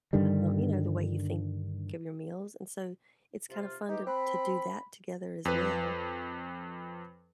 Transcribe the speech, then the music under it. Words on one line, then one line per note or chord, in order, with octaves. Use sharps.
um, you know, the way you think of your meals. And so it's kind of fun to to do that together as well.
G2 D3 D#3 G3
C3 F4
E3 D#4 G4
C4 B5
F2 B4